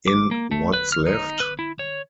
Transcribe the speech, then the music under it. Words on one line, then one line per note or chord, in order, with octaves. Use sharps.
In What's Left?
D6
A#3
A3
B4
F6
D#4
B4
E4
C#5